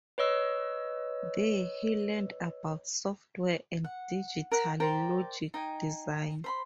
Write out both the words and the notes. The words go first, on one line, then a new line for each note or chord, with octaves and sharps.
There, he learned about software and digital logic design.
B4 C#5 D#5 E6
F#5
A#4 C#5 F#5
A#4 C5 D5 G5
D#4 G5 G#5
C5 B5 C6